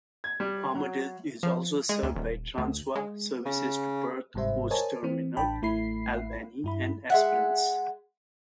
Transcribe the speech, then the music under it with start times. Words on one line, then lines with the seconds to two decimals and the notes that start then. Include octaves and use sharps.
Armadale is also served by Transwa services to Perth Coach Terminal, Albany and Esperance.
0.24 G#6
0.40 G3
0.75 F#3
1.43 F3
1.89 G#3
2.03 D2
2.16 D#1
2.58 D2
2.95 G#3
3.46 C#3
4.34 G1 G#2 C3 G3 C5 E5
4.70 A#4 C5 C#5 D#5 G#5 A5
5.03 E3 C4
5.37 A1 D4 G5 A5 B5
5.62 A1 A3 E4 B5 C7
6.64 G2 E4 B5
7.10 G#3 E5 F#5